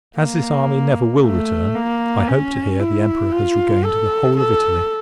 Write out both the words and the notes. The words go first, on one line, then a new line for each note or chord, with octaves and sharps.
As this army never will return, I hope to hear the Emperor has regained the whole of Italy.
A#3
A3
A#3
C#4
E4
F4
A4
A4